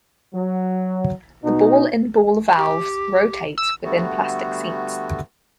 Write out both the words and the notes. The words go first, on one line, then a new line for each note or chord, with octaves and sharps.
The ball in ball valves rotates within plastic seats.
F#3
B2 D#4
G4
E6
D3 G3 A3 B3 F#4